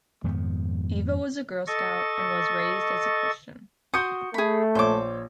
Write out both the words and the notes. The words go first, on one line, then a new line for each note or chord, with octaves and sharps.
Iva was a Girl Scout, and was raised as a Christian.
F2 G#2 D#3 B3
A4 D#5 C#6 A6
F#4 C6 D#6 G6 C#7
A3 G#4 B5
A#1 C5 C#5 D6